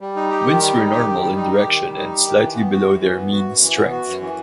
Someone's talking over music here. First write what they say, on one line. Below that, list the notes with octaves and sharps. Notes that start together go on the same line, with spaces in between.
Winds were normal in direction and slightly below their mean strength.
G3
D#4
G4
D#3
G3
D#4
G4
D#3
G3
D#4
G4
D#3
G3
D#4
G4
D#3
E3
B3
F#4
F#2
E3
B3
F#4
F#2
E3
B3
F#4
F#2
E3